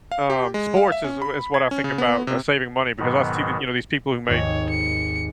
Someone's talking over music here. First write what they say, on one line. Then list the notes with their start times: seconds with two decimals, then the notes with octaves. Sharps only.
Um, sports is is what I think about uh, saving money because I see the you know, these people who make,
0.11 F5
0.30 G4
0.54 G#3
0.77 F5
0.92 E5
1.04 C#4
1.22 B5
1.54 G#6
1.71 C#4
1.84 C#3
1.98 B3
2.27 C3
2.99 G#2 B2 D#3 F#3 B3
4.28 G#1 D#2 C#5
4.70 C#7